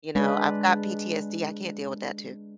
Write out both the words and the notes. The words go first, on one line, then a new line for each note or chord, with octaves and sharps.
you know? I've got PTSD, I can't deal with that too.
G#3 D4 B4